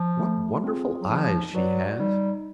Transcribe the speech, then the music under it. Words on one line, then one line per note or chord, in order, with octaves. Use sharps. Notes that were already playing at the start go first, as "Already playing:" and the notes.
What wonderful eyes she has.
Already playing: F3
A3
C4 F4 G#4
F#3
F3 D#4
F#3 F#4 B4 D5 F#5
G3 D#4